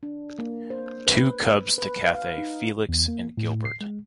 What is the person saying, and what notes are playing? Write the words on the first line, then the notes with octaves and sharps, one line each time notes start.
Two cubs to Cathay: Felix and Gilbert.
D4
A#3
C5
B4
B4
F5
D#4
E2
A#3
A2
C7
G#3